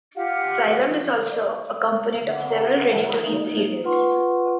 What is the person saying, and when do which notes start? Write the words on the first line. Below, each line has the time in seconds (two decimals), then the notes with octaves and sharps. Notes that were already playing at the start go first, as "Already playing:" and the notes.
Psyllium is also a component of several ready-to-eat cereals.
0.15 F4 G4 F5 F#5
2.29 F#5
3.26 A#3 D#4
3.84 F4 B4 F#5 C6 C#6